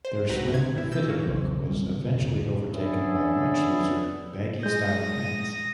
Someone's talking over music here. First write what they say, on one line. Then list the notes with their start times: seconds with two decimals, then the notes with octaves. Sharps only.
Their slim, fitted look was eventually overtaken by much looser, baggy-style pants.
0.05 C5
0.29 G1 C2 C4 F#4 B4 A#5
0.50 D3 G#6
0.73 G#1 E2 D#3 E4
0.91 B2 E6 G6
1.07 E3 F#3 A#3 C#4
1.28 B1 E2 C#3 F#3
1.67 D#3 G3 A3 C4
1.97 B2
2.20 E2 A#2 D3
2.69 B3 C#4 D4 E4 G#4 A4
4.63 G#3 D#6 G6 A#6